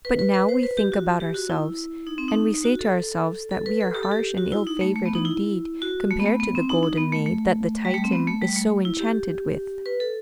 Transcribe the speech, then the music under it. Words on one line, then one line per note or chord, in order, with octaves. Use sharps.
But now we think about ourselves, and we say to ourselves that we are harsh and ill-favored indeed compared to the Golden Maid that the Titan is so enchanted with.
B4
B4
B4
C5
B4
G4
F#4
G4
F#4
E4
D#4
C4
D#4
F#4
A4
A4
B4
A4
G4
A4
G4
F#4
E4
D#4
A3
A3
B3
D#4
E4
F#4
A3
B3
A3
B3
C4
D#4
D#4
B3
A3
A3
G3
A3
C4
B3
A3
G3
A3
E4
G4
B4
A4